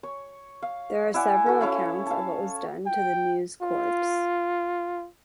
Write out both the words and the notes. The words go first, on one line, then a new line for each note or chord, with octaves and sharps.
There are several accounts of what was done to the nue's corpse.
C#5
F5
E4 D5 F#5 G#5
F#4 A4
C#4 E4 C#5 F5
F5 A5
G5
F4